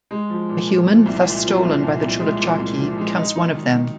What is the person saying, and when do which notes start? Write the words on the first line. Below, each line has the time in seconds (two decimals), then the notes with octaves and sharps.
A human thus stolen by the Chullachaqui becomes one of them.
0.11 G#3
0.30 F3
0.49 A#2
0.67 A#2
0.87 F3
1.06 C2
1.25 A#2
1.44 F3
1.63 C2
1.82 A#2
2.02 C2
2.20 G#3
2.39 A#2
2.58 C2
2.78 F3
2.97 G#3
3.16 D#4
3.36 D#4
3.54 D#3
3.74 D#3